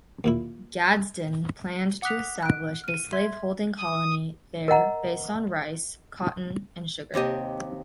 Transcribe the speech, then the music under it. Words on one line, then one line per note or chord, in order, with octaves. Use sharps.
Gadsden planned to establish a slaveholding colony there based on rice, cotton, and sugar.
D#2 A#2 E4
F#5 D6 D#6 F#6 B6 F7
F#6 D7
F6 D#7
E5 C6 G#6
D#6
A#4 D#5 F#5 A#5
D#2 C3 G4 D#5